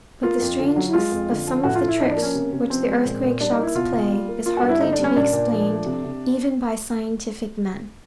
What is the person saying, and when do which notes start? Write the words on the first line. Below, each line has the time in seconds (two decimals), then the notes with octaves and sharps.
But the strangeness of some of the tricks which the earthquake shocks play is hardly to be explained, even by scientific men.
0.23 A#3 F4
0.40 F2
0.59 D3
0.76 F#3
0.93 G#3 F4
1.12 F2
1.30 D3
1.47 F3
1.64 A2 F#4
1.75 F4
1.82 A2
1.88 E4
2.00 F3 D#4
2.10 D4
2.16 A#3
2.22 C#4
2.34 C3
2.52 C3
2.70 F3 C4
2.87 G#3
3.05 A#2
3.23 A#2
3.40 G3 D4
3.51 D#4
3.58 A#3
3.63 E4
3.75 B2 F4
3.92 B2
4.10 G3
4.28 A#3
4.45 A#3 F4
4.57 F#4
4.63 G2
4.69 E4
4.81 D3 D#4
4.93 D4
4.99 G3
5.04 C#4
5.16 A#2 D4
5.33 A#2
5.52 F3
5.69 A3
5.86 C3
6.04 C3